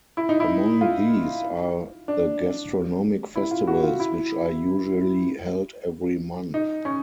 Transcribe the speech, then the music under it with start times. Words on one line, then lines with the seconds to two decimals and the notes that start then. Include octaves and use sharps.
Among these are the gastronomic festivals, which are usually held every month.
0.17 E4
0.29 D#4
0.40 E4
0.81 F4
2.08 D4
3.36 E4
3.51 F4
3.67 F#4
3.83 F4
4.00 E4
6.54 D#4
6.85 C#4